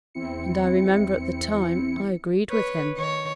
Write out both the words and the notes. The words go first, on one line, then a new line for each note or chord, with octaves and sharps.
And I remember at the time I agreed with him.'
E2 C4 E4 C#7
B4 C#5
D#3 C#5